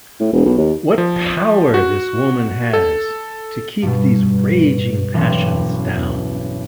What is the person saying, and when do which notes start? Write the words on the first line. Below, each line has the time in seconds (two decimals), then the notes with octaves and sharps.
What power this woman has to keep these raging passions down!
0.20 A2
0.33 E1
0.46 B1
0.57 D#2
0.98 F3
1.74 F#4
2.73 A4
3.82 G2 B2
5.14 E1 B1 C#4 C6